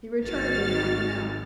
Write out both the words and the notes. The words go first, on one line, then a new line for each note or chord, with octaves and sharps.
He returned in half an hour.
G#1 D#3 F#4 F6 A6